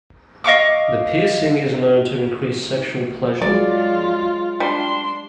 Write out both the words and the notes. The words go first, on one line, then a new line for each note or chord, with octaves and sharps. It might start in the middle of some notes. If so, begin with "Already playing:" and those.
The piercing is known to increase sexual pleasure.
D#5 F5 C#6 D6
F#3 G#3 F4 D5
G3 D4 C6